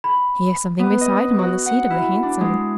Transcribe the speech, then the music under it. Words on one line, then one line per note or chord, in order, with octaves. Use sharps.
"He has something beside him on the seat of the hansom."
B5
B3
D#5
F#4
F#5
E4
D4
G#3